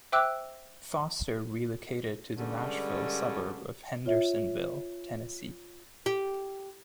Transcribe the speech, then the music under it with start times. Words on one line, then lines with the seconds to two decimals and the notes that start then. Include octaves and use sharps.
Foster relocated to the Nashville suburb of Hendersonville, Tennessee.
0.12 C5 E5 G5 D6 E6 F#6
2.37 G2 D3 G3 G#3 C#4
4.06 F4 C#5 E5
6.06 G4